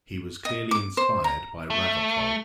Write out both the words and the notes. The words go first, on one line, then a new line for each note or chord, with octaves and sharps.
He was clearly inspired by Ravachol.
D#5
D6
C5
A#5
A3